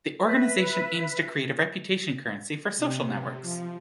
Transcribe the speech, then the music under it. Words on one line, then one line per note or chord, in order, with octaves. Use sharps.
The organization aims to create a reputation currency for social networks.
B4 E5
C3
F3